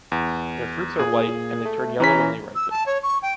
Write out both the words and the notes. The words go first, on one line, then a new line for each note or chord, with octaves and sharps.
Their fruits are white, and they turn yellow when they ripen.
E2
A#2 G#4
A3
E3 C#4 A#5 B6
E6
A5
C#5
C#6
G5